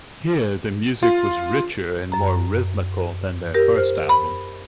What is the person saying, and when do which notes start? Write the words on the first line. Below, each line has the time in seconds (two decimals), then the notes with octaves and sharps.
Here the music was richer and more rhythmical than their first album.
1.03 F4
2.12 F#2 A#5
3.54 G4 A#4
3.76 C5 F6
4.09 B5